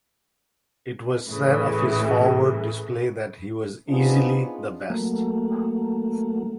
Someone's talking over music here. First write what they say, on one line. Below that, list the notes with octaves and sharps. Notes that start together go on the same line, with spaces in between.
It was said of his forward display that he "was easily the best".
A2 C#3 E3
B3 C4 D4 D#4 F4 G#4
F#3 A3 A#3